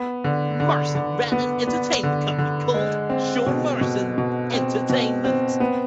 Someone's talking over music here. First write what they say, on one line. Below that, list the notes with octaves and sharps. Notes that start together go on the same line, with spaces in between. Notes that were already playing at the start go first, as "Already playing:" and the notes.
Morrison ran an entertainment company called Sean Morrison Entertainment.
Already playing: B3
D3
D3
D3
B3
B3
D3
D3
G#3
C4
B2
B2
B2
C4
B2
C4
B3